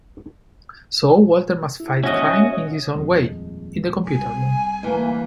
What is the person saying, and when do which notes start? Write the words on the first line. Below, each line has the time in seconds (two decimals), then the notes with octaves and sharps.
So Walter must fight crime in his own way - in the computer room.
1.80 E4
2.03 C#4 F#4 C#5 D#5 E5
2.95 D#1 F2 G#3
4.05 C2 G#5
4.83 D2 E3 A#3